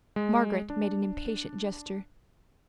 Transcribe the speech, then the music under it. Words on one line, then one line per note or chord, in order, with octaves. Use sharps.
Margaret made an impatient gesture.
G#3
D4